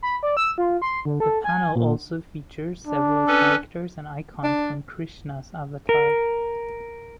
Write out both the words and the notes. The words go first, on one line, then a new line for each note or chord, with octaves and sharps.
The panel also features several characters and icons from Krishna's avatar.
B5
D5
E6
F4
C6
D3
A4
G#5
A#2
D4
C#4 A4 B4
D4
A#4